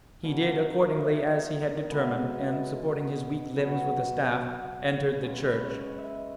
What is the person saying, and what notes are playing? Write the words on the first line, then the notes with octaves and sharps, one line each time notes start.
He did accordingly as he had determined, and supporting his weak limbs with a staff, entered the church.
B2 A#3 C#4 A#4
A#4
E4
E4
D#4
D#4
A#4
B2 G#3 B3 B4
D#5
E5
D#5
B2 F#3 B3 C#5
C#3 G#3 C#4 B4
B4
C#5
D#5
E5
D#5